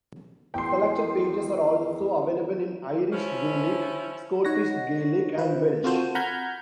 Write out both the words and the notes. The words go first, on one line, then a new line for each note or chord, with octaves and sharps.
Selected pages are also available in Irish Gaelic, Scottish Gaelic and Welsh.
E2 G5 C6
F3 C#4 E4
D#4 C#5 F#5 A#6
F4 B4 C5
C4 F4 F#4 A4 C5
F#5 A#5 B5 F6 G6 G#6